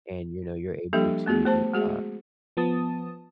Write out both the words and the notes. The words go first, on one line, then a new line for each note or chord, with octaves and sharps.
and, you know, you're able to, uh,
F3 G3 A#3 D4 G4 A4
A3 B3 F#4 G#4
A3 C5 A5
G#3 F#4 G#4
F3 B3 A5 D#6